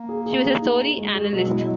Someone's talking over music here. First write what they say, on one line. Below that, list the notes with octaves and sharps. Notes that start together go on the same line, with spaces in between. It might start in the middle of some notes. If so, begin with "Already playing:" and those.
She was a story analyst.
Already playing: A#3
G#4
G#4
G#4
D#4
G#4
G#3
G#4
B2 F#3
G#3 E4
F#3